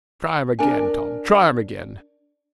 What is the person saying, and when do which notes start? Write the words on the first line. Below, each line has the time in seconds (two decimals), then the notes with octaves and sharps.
'Try 'em again, Tom; try 'em again.'
0.59 D4 A#4 G#5